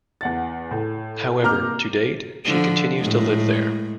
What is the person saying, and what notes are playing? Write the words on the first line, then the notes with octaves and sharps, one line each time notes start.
However, to date she continues to live there.
E2 F#5 A6
A2
C3 A#3 A#5 D6 F6 G6
D3 F3
A2 G#3